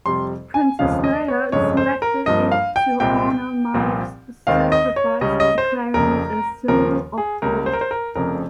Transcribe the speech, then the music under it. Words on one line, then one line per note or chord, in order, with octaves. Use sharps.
Princess Leia selected it to honor Marek's sacrifice, declaring it a "symbol of hope".
F2 C3 G3 C6
G#5
F1 D#2 C#3 F3 G#3 F5
D#5
C#5
G1 F2 C#3 G#3 C#5
C5
A#4
G1 G2 F3 A#3 D#5
F5
G5
C2 A#2 G#3 C4 G5
C2 A#2 F3 C4
D#2 D#3 G#3 C4 F5
D#5
C#5
C#2 C#3 G3 C#4 D#5
D#5
C5
F1 F2 C#3 A#4
D#2 C#3 F3 A#3 A#4
G#4
C#2 C#3 G3 A#3 A#4
C5
A#4
C5
A#4
F1 F2 C#3 A#4